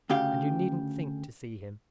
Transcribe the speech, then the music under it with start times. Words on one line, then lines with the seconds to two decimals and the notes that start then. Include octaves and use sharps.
And you needn't think to see him.
0.10 D2 C#3 G4 F5